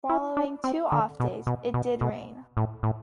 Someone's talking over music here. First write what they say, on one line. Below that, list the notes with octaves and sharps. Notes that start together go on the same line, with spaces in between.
Following two off days, it did rain.
E4
D4
C4
D3
B2
B2
B2
B2
A2
A2